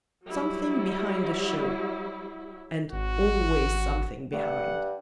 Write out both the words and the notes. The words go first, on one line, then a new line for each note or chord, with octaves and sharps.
Something behind a show--and always something behind.
F#3 G3 E4
G#1 F#4
G2 A3 F#5